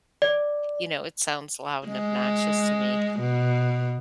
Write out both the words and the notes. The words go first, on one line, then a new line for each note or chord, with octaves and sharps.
you know, it sounds loud and obnoxious to me,
D5
G#3
B2